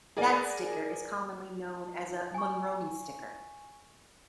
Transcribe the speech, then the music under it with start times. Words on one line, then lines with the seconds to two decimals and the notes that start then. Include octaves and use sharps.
That sticker is commonly known as a "Monroney sticker".
0.17 G#4 A#4 D5 G#5
2.34 G#5 C#6